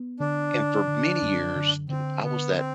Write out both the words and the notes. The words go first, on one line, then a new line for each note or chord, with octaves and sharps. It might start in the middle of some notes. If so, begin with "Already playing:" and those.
and for many years, d I was that
Already playing: B3
D3 D4
D3
D3
F#2
D3
D3 C4
D3 B3
C4